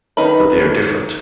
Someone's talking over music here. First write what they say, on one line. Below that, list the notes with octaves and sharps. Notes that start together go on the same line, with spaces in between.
But they are different.
D#3 D#4 B4 B5